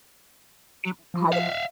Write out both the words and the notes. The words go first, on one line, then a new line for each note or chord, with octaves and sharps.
it had a
F3
E5 F5